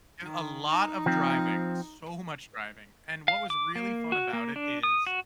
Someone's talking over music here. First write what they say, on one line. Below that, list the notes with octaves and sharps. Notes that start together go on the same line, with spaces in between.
There's a lot of driving, so much driving, and what was really fun about it is,
D#3
D#4
F3 C4
F5
D6
A#3
F#4
A#3
D4
D#6
F#4